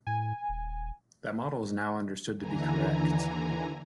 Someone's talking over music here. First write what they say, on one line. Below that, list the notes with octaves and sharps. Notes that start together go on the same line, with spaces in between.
That model is now understood to be correct.
A2 G#5
D#1
D#2 D3 E3 G#5 A#5